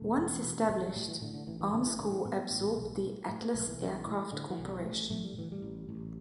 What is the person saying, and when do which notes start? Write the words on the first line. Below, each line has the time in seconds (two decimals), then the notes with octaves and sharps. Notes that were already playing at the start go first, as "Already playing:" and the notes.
Once established, Armscor absorbed the Atlas Aircraft Corporation.
Already playing: E1 A3
0.18 E2
0.44 B2
0.69 A1 A3
0.83 G3
0.96 A2 G3
1.08 E3
1.22 A2 D3
1.34 D3
1.47 A1 E3
1.60 E3
1.73 A1 D3
1.86 E3
1.99 A2 D3
2.12 E3
2.25 A2 B3
2.51 A1
2.77 B1
3.03 A2
3.28 A2 A3
3.42 B3
3.54 B1 A3
3.68 E3
3.81 B1
4.07 A2
4.32 A2 D3
4.50 E3
4.59 B1
4.67 G3
4.84 A1 A3
5.10 A2 A3
5.24 G3
5.36 A2 E3
5.52 G3
5.62 A1
5.89 A1